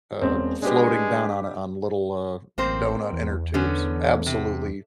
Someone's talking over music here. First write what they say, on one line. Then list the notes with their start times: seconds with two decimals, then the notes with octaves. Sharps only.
uh, floating down on it, on little, uh, doughnut inner tubes, absolutely
0.21 E1 C4 C#4
0.62 G#3 D4 G4 B4
2.58 A1 A#3 C4 C5
3.13 E2
3.54 D3 B3 C#4
4.26 C3